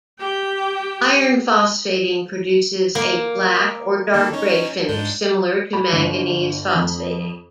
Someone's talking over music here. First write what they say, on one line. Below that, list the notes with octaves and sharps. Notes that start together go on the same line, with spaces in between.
Iron phosphating produces a black or dark gray finish similar to manganese phosphating.
G4 G5
A#3
D#3 A#3 A4
C#4 D#4 C#5
G#2 D4 G6
B5
G1
F2